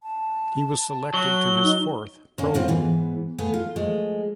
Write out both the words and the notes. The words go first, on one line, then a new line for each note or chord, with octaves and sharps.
He was selected to his fourth Pro Bowl.
A5
F#3 F#4 G7
D#4
A#3 C#4
D#2 A2 C4 F4 C5 F#5
G#2 E3 B3
A3 B3 G#4 F5
F4
F3 G#3 A3